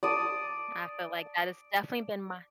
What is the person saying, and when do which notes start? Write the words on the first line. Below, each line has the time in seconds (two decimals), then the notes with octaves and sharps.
I feel like that has definitely been my
0.03 D5 A5 D#6